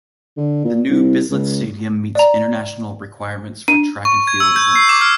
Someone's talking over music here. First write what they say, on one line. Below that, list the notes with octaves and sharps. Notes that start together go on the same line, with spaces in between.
The New Bislett Stadium meets international requirements for track and field events.
D3
A#2
C2
C#2
D5 A#5
D4 D#7
C#6
G#6
E6
G6
C7
D6
F6